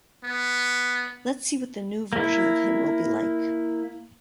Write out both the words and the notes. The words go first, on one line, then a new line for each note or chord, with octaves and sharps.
Let's see what the new version of him will be like.
B3
A#3 E4